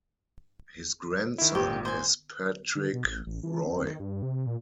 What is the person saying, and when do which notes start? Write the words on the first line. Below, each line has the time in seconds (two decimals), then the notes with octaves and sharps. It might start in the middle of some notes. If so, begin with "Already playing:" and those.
His grandson is Patrick Roy.
1.38 D#3 E4
1.55 G#1 A#2 G4
1.85 C5 G#5
2.75 D3
2.93 B2
3.05 A1
3.27 A1
3.43 E3
3.66 C4
3.85 D#3
4.00 G2
4.22 C3
4.47 A#2